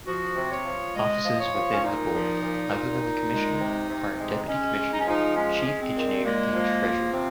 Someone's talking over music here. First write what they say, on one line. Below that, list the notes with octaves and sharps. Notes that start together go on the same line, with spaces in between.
Offices within the board, other than Commissioner, are Deputy Commissioner; Chief Engineer and Treasurer.
F3 F#4
C3
C#5
F3
G#3 D#5
F3
C#5
F3
C#4
A#2 D#4
F3
A#2
A#2
A#2
G#3
C3
C3
G#3
G#3 C#4
G#3
D#4
C#4
F3 D#4
G#3 C#4
G#3
C4
A#2
G#3 A#3
F3
F3
C3 C4